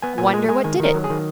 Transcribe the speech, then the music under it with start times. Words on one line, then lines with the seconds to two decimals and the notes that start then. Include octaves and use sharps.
"Wonder what did it?"
0.02 B3 G#5
0.18 A#2 G#5
0.34 G#3 G#5
0.49 G#3 G#5
0.64 D#3 G#5
0.80 D#3 A#4
0.94 F#3
1.04 G#4
1.10 D#3